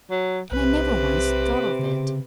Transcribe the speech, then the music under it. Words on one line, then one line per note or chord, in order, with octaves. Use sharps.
"And I never once thought of it."
F#3
B1 C3 B4
C#3